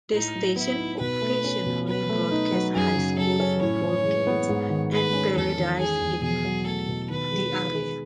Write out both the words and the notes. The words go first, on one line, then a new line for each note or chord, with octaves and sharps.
The station occasionally broadcasts high school football games and parades in the area.
A2 D#4
F#3
B3 E4
D#4
B2 B4
A3
C#4
B2
F#3 B4
A3
D#4
F#3
F#2 G#4
C#3
F#3 A4
C#4
A2 C#5
E3
G#3
B3
G#2
D#3
G#3 B4
C#4
E2 A4
D#3
G#3 G#4
E2
B2 G#4
F#3
A3 A4
B2
D#3 B4
G#3
D#4
G#4